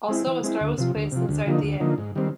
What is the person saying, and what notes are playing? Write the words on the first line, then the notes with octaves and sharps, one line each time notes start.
Also, a star was placed inside the "A".
G#3 C4 E4
E3
G#3 C4 E4
D2
C3 F3
D2
C3 F3
D2
D3 F3 A#3 D#4
D2
D3 F3 A#3 D#4
G#2
D#3 G3 C4